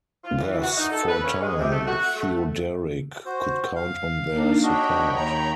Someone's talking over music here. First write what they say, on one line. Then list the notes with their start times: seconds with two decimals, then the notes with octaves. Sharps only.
Thus, for a time, Theoderic could count on their support.
0.24 F4
0.41 E3
0.62 F#4
0.77 D#4
0.92 A4
1.07 B4
1.24 C#4
1.42 G#3
1.60 C3
1.71 A3
1.87 F#4
2.16 A3
3.25 F#4 C5
3.75 F5
4.29 A#3 D4 D#4
4.63 D4 F#4 C#5 D#5 G5 B5
5.16 D#2 A#5